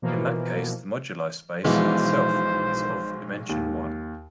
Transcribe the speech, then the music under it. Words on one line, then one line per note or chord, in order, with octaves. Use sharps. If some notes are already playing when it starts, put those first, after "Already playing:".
In that case the moduli space itself is of dimension one.
B2 E3 F3 A#3
B1 E3 F3 G#3 B3 C5
D#2